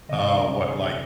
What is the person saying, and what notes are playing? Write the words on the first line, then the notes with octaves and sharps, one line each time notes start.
uh, what, like,
D2 C3 D#3 D#5
D5
C5
A#4
G#4
G4